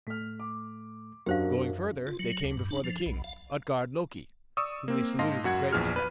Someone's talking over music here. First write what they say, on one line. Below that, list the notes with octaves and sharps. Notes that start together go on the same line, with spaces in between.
Going further, they came before the king, Utgard-Loki, whom they saluted with great respect.
A2 A3 F6 B6
D6
F#2 F#3 D4 F#4 G4 A#4 C5 F5
F4
F#3
D2
G2
D4
F3
B1
F5
D5 C#6 D#6 E6
A#3 C4
G#2 D#5 F5 A5 C6 A#6
F#2 F#4 F#5 G#6
A#1 E2 F3 G#4 F6
B4